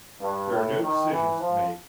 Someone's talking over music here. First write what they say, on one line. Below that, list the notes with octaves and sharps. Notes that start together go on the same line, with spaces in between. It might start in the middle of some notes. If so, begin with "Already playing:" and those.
There are no decisions to make.
G2
A2
D#3
E3
F3